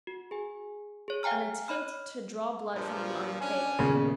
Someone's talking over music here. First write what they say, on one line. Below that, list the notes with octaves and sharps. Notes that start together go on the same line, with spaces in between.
An attempt to draw blood from the arm failed.
F#4
G#4 G#5
G#4 C#5
F5 G5 G#5 A#5 F6
C#5 D#5 B5 F6
G2 A#2 F3
C#4 D4 G#5
D#1 A#2 C#3 B3